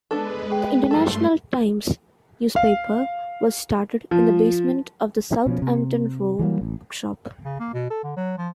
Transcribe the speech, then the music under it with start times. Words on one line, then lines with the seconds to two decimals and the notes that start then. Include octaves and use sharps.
The "International Times" newspaper was started in the basement of the Southampton Row bookshop.
0.11 G#3 B3 D4 A4 B4
0.50 G#4 G5
0.91 G2 F3 A3 A4 C6
2.56 F5
4.11 F3
5.47 B2 F3 C#4
5.62 C3
6.39 E3 F#3 G3 A#3
6.61 A1
7.45 C#3
7.60 A#3
7.74 B2
7.90 A4
8.04 D3
8.16 F#3
8.38 F3